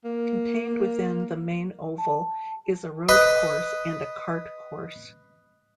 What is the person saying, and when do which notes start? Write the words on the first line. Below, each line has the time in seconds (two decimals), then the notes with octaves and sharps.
Contained within the main oval is a road course and a Kart course.
0.05 A#3
1.98 A5
3.09 B4 D#5